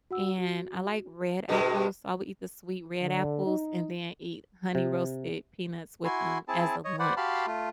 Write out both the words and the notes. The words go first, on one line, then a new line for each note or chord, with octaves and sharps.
and I like red apples, so I would eat the sweet, red apples and then eat Honey Roasted Peanuts with them as a lunch.
F#4 F#5 E6
F#4
G2 B2 G#3 F#4 A#4 D#5
D3
D#4
C3
E4 F#4 G#5 C6
C4 E4 G#4 A5
C#5 D#5
B4 C5 D5 F#5
F#4 G4 F5 A5 B5 C6
A3 F4